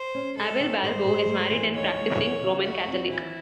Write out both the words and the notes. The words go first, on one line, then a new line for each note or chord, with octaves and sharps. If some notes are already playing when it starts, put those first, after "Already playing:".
Abel Balbo is married and a practising Roman Catholic.
Already playing: C5
C#4
G#3 A4
D#3
G#2 C5
G#2
A3
E3
D#2 C#5
G#3
E3
C#3
D#2 F#4
C4
E3 E4